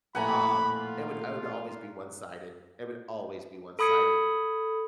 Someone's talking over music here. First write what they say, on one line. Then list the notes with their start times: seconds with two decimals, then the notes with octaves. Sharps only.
um, it would I would always be one-sided it would always be one-sided,
0.15 A#1 A2 F#5 G#5 A#5 B5
0.75 F4
3.79 A4 B5 D#6 G#6 C#7